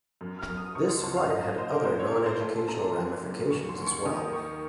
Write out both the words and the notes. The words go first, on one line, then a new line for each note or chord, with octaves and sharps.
This flight had other, non-educational ramifications as well.
F#2
F6
F#2
D#6
C#2 C#6
C6
C#2 A5
F5
F#3 D#5
F5
A#3 C5
A#4
A#2 C5
C#5
A#2 A#4
C5
A3 C5
A5
A#2 A#5
C6
F#2
F#2
D#2 C#6
C6
D#2
C#6
D#3 D#6
A#3 C#6